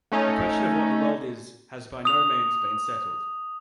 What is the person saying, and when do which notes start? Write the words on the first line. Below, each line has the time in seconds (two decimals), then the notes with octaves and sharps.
The question of what the world is has by no means been settled.
0.12 A3 C#4 D#4
2.05 D#6 F7